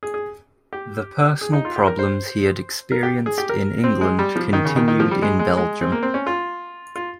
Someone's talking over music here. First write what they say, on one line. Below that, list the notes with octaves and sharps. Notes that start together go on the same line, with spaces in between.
The personal problems he had experienced in England continued in Belgium.
G#4
G#4
G4
G#4
D#4
F4
G4
A#4
C5
A#4
G4
G#4
G4
A#4
C4
G#3
G3
F3
D#3
C#3
D#3
D#3
F3
G3
G#3
G#3
G#3
C4
A#3
C4
C#4
F4
F4